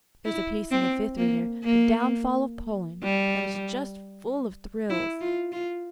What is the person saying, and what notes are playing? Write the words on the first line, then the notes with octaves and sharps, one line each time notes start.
There is a piece in the Fifth Reader--'The Downfall of Poland'--that is just full of thrills.
E4
C4
A#3
A#3
G3
E4
F4
F4